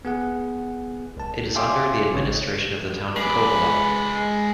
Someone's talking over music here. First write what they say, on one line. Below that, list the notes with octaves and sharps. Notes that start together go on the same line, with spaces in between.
It is under the administration of the town of Kouvola.
B3 G#4 F#5
C2 A5
E5 F5 G5 G#5 C6 D6
G#1 C#3 C4 C#5
G#3 B4 D5